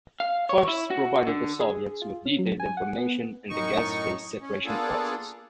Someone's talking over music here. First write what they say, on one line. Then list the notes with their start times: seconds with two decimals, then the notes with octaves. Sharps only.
Fuchs provided the Soviets with detailed information on the gas-phase separation process.
0.20 F5
0.49 C#5
0.68 E4
0.90 F#4
1.27 D3
1.60 G#4
2.02 F4
2.25 C#4
2.39 F#3
2.60 G#5
2.77 F#5
2.98 B3
3.50 F#2 A2 D#4 C#6
4.41 C#4
4.65 A#3 B3 D4 F4 G#4 A4